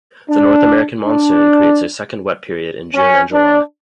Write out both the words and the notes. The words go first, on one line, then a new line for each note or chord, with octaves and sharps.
The North American Monsoon creates a second wet period in June and July.
D4
D4
C#4
D4